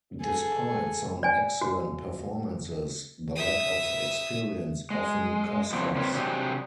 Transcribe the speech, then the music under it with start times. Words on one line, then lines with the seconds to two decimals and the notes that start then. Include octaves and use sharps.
Despite some excellent performances the lack of experience often cost us.
0.21 G#4 A4
1.23 D5 G#5
1.61 F#4
3.36 E5 D#6
4.90 G#3
5.72 F3 B3 C4 D4 E4
5.96 C4 A#4 B4 C#5
6.13 C3 F#3 D4 G4 G#4